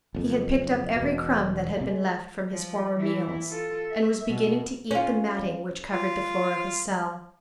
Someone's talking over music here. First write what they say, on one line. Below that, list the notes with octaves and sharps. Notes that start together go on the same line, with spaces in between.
He had picked up every crumb that had been left from his former meals, and was beginning to eat the matting which covered the floor of his cell.
F#1 F2
E1 B2
C3 A#3
G#3
F3
E3 E4
F4 A4
E5
B2
C#4 F4
F4